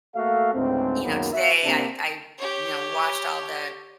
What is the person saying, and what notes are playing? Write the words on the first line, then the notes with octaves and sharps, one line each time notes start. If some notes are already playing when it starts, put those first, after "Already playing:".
you know, today, I I, you know, washed all the
A3 A#3 F#4 A4 E5 F5
C#2 G#2 D3 A3 C4
C#2 F#2 D#3 F#3 A#3 B3
F#4 E5
C3 A#3 C4 D4
G4 C#5